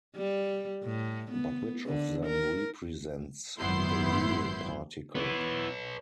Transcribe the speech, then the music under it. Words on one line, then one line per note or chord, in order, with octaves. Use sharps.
But which of them represents the "real" particle?
G3
A2
B3
D3
A#4
G#1 F#2 B3 E4 C6 G6
B3 E4 B4 C#5